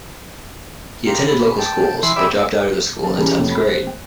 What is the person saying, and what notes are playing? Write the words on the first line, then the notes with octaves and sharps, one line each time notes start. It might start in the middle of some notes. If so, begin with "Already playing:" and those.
He attended local schools, but dropped out of school in the tenth grade.
F4 G4 A#4
B5
G5 A5
E3 C6
G4 G#4 C5 D5 E5 B5
F#2 A5
E3 G3 C#4 G#4 A#4
F2 A2 C3
B5
C5 F#6
G5